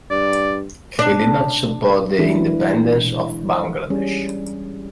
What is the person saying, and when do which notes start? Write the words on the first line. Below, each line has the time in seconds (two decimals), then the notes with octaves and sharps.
He did not support the independence of Bangladesh.
0.10 G2 D5
0.99 D4
2.18 E3 G#3 D4 E4
3.90 G3 C#4 G#4